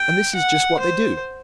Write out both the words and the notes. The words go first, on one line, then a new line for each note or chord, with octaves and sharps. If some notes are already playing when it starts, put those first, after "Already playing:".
And this is just what they do.
Already playing: G5
F#5
C5